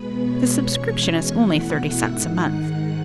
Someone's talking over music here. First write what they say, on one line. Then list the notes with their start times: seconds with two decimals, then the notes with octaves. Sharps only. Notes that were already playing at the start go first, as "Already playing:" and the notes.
"The subscription is only thirty cents a month."
Already playing: B2 G#3 B3 B4 B5
0.18 C#5 C#6
0.55 E2 B2 G#3 C#4 C#5 C#6
0.93 G#5 G#6
1.30 E2 B2 A3 E4 F#5 F#6
1.68 E5 E6
2.05 G#2 D#3 G#3 D#4 F#5 F#6
2.43 F#5 F#6